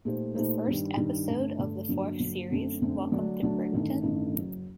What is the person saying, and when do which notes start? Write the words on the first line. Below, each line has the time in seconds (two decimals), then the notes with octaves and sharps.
The first episode of the fourth series, Welcome To Brighton?
0.05 A#2 A3 D#4 G4 C5
0.35 A#2 A3 D#4 G4 C5
0.66 G2 D#3 G3
0.96 G2 D#3 G3
1.27 G2 D3 A3
1.58 G2 D3 A3
1.89 G2 D3 F#3 A#3
2.19 G2 D3 F#3 A#3
2.50 F#2 D3 A3 C4
2.82 F#2 D3 A3 C4
3.12 D3 F#3 A3 D4
3.42 D3 F#3 A3 D4
3.73 A1 G2 D#3 A3
4.04 A1 G2 D#3 A3
4.34 F#1 F#2 F#3